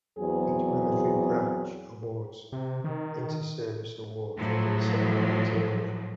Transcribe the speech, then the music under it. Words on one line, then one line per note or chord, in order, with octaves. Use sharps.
Each military branch awards inter-service awards under the same criteria.
E2 F#3 C4 G#4
C3
D#3
A2 F3 F#3